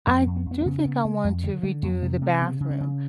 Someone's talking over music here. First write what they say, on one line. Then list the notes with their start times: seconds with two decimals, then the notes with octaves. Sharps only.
I do think I want to redo the bathroom,
0.07 F2 A#3
0.22 B3
0.27 F2
0.36 B3
0.46 F2
0.51 B3
0.61 C4
0.66 C#3 B3
0.85 C#3 B3
1.05 C#3 A#3
1.24 F2 G#3
1.44 D3 G3
1.63 D3 G#3
1.83 F2 A#3
2.02 C3 G#3
2.21 C3 A3
2.41 C#3 B3
2.60 C#3
2.71 C#4
2.80 C#3